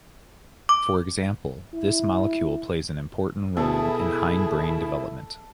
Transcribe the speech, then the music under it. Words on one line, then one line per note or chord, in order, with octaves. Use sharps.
For example, this molecule plays an important role in hindbrain development.
D6
E4
B2 E4 G#4 A4